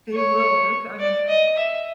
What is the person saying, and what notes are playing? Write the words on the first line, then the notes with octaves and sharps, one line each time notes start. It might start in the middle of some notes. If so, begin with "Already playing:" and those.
They will, they're c I mean,
C#5
D5
D#5
E5